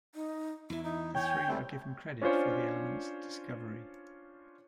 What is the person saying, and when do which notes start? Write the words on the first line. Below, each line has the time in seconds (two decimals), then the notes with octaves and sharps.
The three are given credit for the element's discovery.
0.15 D#4
0.70 E2 E3 E4
0.84 D#4 E4
1.15 C#5 G5 G#5
1.48 G3 A3 C4
2.22 C#4 D4 F4 C5 C#5